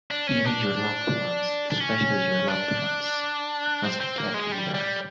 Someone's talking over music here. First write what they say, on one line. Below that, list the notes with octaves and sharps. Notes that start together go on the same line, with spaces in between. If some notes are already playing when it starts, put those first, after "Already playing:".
Even your loved ones-especially your loved ones-must be kept in the dark.
D4
C#4
D4
D4
C#4
D4
C4
C4
A#3
G#3
G3
G3